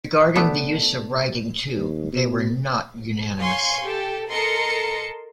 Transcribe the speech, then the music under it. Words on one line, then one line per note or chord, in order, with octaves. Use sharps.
Regarding the use of writing, too, they were not unanimous.
A3 B3 D4
D#2
B2
C#5 F5 G#5 C6 C#6
G4 A4
A4 A#4 D#5 C6 C#7